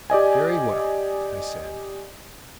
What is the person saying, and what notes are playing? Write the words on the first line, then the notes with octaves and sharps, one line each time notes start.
"Very well," I said.
G4 D5 D#5 G#5